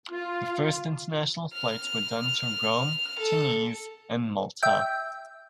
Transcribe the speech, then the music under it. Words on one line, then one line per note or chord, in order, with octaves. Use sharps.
The first international flights were done to Rome, Tunis and Malta.
F4
F6
A4
E5 G5